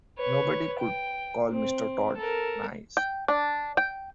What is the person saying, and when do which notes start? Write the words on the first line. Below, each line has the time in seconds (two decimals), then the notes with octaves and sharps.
Nobody could call Mr Tod "nice."
0.19 B4 C#5
0.79 G5
1.50 C4
2.18 A4 A#4
2.97 G5
3.28 D4
3.77 G5